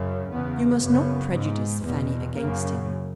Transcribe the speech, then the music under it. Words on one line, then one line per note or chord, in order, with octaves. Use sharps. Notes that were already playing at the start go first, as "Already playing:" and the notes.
You must not prejudice Fanny against him.
Already playing: F#2 C#3
E2 C#3 B3
F#2 C#3 B3
G#2
E2 B2
F#2 C#3 A#3